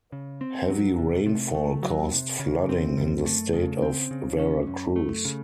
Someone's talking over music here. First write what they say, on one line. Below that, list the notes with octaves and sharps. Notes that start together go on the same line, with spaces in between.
Heavy rainfall caused flooding in the state of Veracruz.
C#3
C4
F#3
C3
C3
A3
F#3
C3
C#3
C4
F#2
A3
C#3
C4
C#3
C#4
F#2
A3
C#3